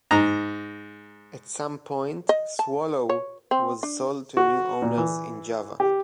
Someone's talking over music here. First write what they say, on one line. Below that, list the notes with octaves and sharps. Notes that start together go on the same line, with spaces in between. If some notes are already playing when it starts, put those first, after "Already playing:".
At some point "Swallow" was sold to new owners in Java.
G#2 A#5
D#5
A5
C#5
C4
D4
F#4
A#2
E3
G4